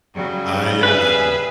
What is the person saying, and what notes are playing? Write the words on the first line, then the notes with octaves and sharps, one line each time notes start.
I, um
C#3 F#3 G3
G#4 B4 E5